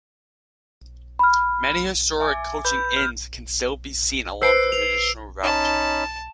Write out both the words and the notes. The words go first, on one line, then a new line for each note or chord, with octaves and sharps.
Many historic coaching inns can still be seen along the traditional route.
B5 F6
E5 G#5 D6
B4 B5 G6
F6
B4 C5 E6 F#6 C7 D7
B4 F7
C#4 D#4 A5 B5